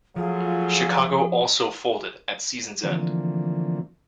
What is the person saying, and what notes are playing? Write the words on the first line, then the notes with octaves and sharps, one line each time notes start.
Chicago also folded at season's end.
F3 F#3 A3 F4 G#4
D3 E3 F3 A3 A#3 C4